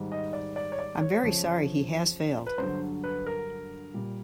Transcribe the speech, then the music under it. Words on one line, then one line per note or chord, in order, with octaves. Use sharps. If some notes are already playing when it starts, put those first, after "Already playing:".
I’m very sorry he has failed.
Already playing: G#2 D#3 G3
D#5
D5
D5
C#5
D5
C#5
F2 C#3 F3
B4
G2 D3 F#3 C5
B4
A#4
A#2 G3